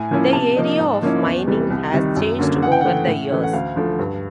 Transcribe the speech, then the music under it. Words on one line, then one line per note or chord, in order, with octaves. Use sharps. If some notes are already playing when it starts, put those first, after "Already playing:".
The area of mining has changed over the years.
Already playing: A2 G#5
F3 A#3 C#4 E4
C3 A5
F3 A#3 D#4
G#2
F3 A#3 C#4 E4
E2
C3 E3 G3
C2
C3 D#3 G3
F#2
D3 F#3 A#3 C#4
C#3 F#5
G5
E3 A3 F#5
A2
E3 A3 C#4
F#5
D2 F5
D3 F3 A3
G2